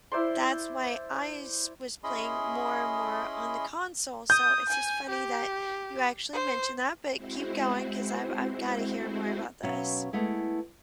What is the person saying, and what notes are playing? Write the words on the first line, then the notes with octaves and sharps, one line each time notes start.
that's why I s was playing more and more on the console, so it's just funny that you actually mentioned that, but keep going 'cause I've I've gotta hear more about this.
E4 C5 D5 C6
C#4 E4 G#4 D#5 B5 C6
D#6 G6
G#5
G4
C5
G#3 C4 E4 F#4 C5
B2 F#3 C#4 E5 F5
G#3 A3 B3 E4 G#4